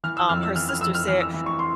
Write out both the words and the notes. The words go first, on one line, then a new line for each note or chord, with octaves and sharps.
um, her sister said,
E3 F6
E6
F2 F6
E6
E3 F6
F6
F2 E6
F6
E3 F6
E6
E3
C#6
C6